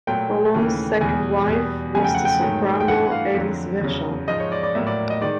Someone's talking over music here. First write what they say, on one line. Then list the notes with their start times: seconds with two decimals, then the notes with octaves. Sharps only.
Colonne's second wife was the soprano Elise Vergin.
0.07 A#2 F#3 A3 G5
0.54 D#2 C#3 E3 A3
1.01 E2 B2 G#3 G#5
1.47 E2 B2 G3
1.95 F2 C#3 F#3 A3 G#5
2.04 G5
2.15 F#5
2.25 G5
2.41 G#2 D#3 F#3 A3
2.80 G5
2.88 G2 E3 A3 F#5
3.11 F5
3.35 F2 D3 F#3
3.81 E2 C#3 F#3
4.28 G#2 F3 G#3 D#5
4.40 C#5
4.52 D5
4.63 D5
4.75 A2 F#3 A#3 E5
4.87 D5
5.10 D#5
5.21 D#3 G#3 D5